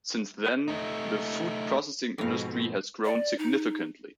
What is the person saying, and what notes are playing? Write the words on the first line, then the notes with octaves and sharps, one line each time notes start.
Since then, the food processing industry has grown significantly.
A3 D#4
F2 G#2 B2 C4 F5
D5
D#4